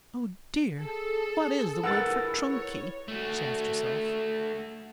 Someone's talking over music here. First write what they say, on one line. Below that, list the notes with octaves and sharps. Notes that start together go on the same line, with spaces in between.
"Oh dear! what is the word for trunk-key?" she asked herself.
G#4 A4
E4 A#4 B4 F#5 E6 A6
C#5
A3 F#4